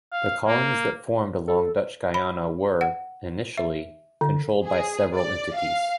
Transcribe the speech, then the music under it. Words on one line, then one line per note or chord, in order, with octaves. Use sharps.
The colonies that formed along Dutch Guiana were, initially, controlled by several entities.
F5
A#3
A4
B5
F#5
E5
D3
G#4
D5
F5